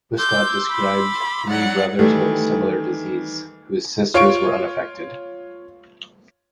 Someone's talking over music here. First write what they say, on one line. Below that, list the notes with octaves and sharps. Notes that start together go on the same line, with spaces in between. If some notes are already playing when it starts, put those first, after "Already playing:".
Wiskott described three brothers with a similar disease, whose sisters were unaffected.
C6 D6 E6 G6
B5
F#3 D5 F#5
D#3 E3 G3 A3 D#4
F4 C#5 C#6 D7